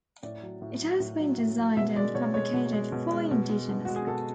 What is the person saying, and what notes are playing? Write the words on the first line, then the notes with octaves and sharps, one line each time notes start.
It has been designed and fabricated fully indigenously.
A2 D5
F#3
A2
F#3
A2
F#3
A2
F#3
B2 E5
G#3 D5
B2 C#5
G#3 C#5
B2
G#3
B2
G#3
B2
G#3
B2
G#3 F#4
G#4
B2 A4